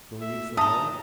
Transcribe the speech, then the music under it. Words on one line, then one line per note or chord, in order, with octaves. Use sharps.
"Nor you for her?"
E5
A3 A4 A#5 D#6